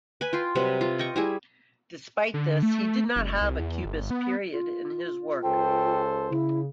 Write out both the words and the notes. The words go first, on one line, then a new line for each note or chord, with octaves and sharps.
Despite this, he did not have a Cubist period in his work.
B4 G#5
F4 G5 C6
C3 F#3 G3 B4
F4
D#5 G5 C#6
G3 E4 G#4
D3
A3
F#1
C2
E2
G1
B3
F4
C#2 A4 C5 G5
C#3 E4